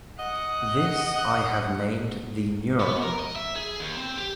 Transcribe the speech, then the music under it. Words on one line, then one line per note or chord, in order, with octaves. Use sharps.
This I have named the neuron.
D#5 F#5
B3
A#4
D#5
E5
G#4
D#2
C4
G4